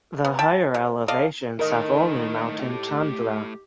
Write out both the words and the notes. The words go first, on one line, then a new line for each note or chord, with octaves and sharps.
The higher elevations have only mountain tundra.
B3
E5 G5 A5
C3
A4 D5 D#5 F5
A2 D#3 A3 A#4 D#5
G4